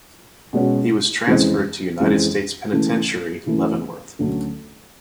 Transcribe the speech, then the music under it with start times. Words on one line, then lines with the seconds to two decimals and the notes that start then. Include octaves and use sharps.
He was transferred to United States Penitentiary, Leavenworth.
0.53 B2 G#3 C#4 F#4
1.26 F2 C#3 E3 G#3 C4
2.00 F2 C#3 E3 G#3 C4
2.73 C#3 E3 A3
3.46 C#3 E3 A3
4.19 D2 C#3 F#3 A3